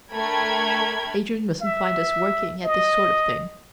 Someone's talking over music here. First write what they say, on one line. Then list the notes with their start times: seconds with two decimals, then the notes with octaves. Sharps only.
Adrian mustn't find us working at this sort of thing.
0.11 A3 D4 A#4 G5 B5 G#6
1.62 E5
2.65 D#5